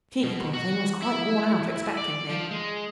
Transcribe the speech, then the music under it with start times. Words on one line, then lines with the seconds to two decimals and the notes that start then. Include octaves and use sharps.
She, poor thing, was quite worn out expecting me.
0.23 B2
0.53 F#4
1.02 E4
1.97 D5
2.29 F3
2.51 G#3